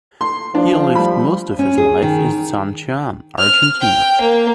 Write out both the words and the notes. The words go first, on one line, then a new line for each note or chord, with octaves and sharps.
He lived most of his life in San Juan, Argentina.
C6
F3 D4
G3 B5
C#4
G#4
D#3
F6
G5
A#3